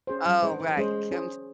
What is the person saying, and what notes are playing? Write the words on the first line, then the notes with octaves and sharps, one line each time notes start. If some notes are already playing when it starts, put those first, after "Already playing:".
Oh, right. Come t
C#4 G#4 C5
F#3
G#3 C#4 G#4 C5
E3
D#3
E3
G#3 C#4 G#4 C5
C#4 G#4 C5